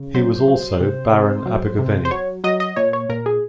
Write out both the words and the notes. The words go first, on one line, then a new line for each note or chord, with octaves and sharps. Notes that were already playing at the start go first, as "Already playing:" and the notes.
He was also Baron Abergavenny.
Already playing: C#3
F#3 C5
F#3
C3
C3
F#3
C3
C5
F#3 C#5
F#3 D#5
D#5
A#2 C#5
C#5
A#2 A#4
G#4